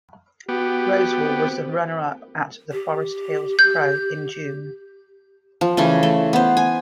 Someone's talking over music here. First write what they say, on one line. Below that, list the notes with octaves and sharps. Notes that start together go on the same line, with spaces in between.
Rosewall was the runner-up at the Forest Hills Pro in June.
B3 F#4 G4
C4
G4
G6
F3
C#3 E3 A3 C#4
A3
B3 C5
G#5